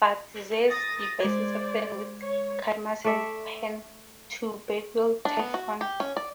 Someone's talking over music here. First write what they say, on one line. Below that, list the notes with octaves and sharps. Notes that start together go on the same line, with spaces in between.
But Zeus devises a plan with Cadmus and Pan to beguile Typhon.
D#6 A6 A#6
G#3 C5 D5 G#6
C#5
A3 A4 D5 E5
D4
B3
F#4
G4
C#4
D5